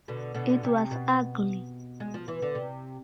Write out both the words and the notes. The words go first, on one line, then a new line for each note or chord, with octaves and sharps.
It was ugly.
B2 D3
B2 D3
C3
B2
G#3
F3
E3
D3
C3